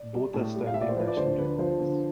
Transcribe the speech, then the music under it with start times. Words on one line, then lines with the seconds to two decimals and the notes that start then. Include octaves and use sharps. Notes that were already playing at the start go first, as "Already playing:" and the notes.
Both are standing national records.
Already playing: D5
0.13 G3
0.34 A2
0.55 G3
0.67 F5
0.74 A2 E5
0.81 D5
0.89 C5
0.96 F3 B4
1.07 D5
1.17 D2 C5
1.38 D3 B4
1.58 F3 C5
1.79 D3